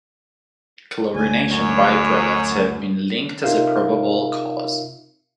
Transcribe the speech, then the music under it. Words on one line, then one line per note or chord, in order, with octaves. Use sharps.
Chlorination by-products have been linked as a probable cause.
D2 G#5
F#2 C#5
C3 D#4 F4 A#4 E5 F5